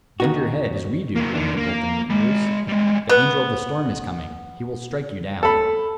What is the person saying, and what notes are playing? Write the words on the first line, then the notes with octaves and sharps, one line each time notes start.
"Bend your head, as we do!" warned the golden wheat-ears; "the angel of the storm is coming; he will strike you down."
D#2 D#4 F#4
F#3 A#3
D#3 D4
A#3
G#3 B5
G3 G#3
B3
A4 B5